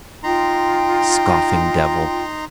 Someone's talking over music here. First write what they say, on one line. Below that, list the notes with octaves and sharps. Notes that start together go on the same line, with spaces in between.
Scoffing devil!
D#4 F4 G5 A#5 C6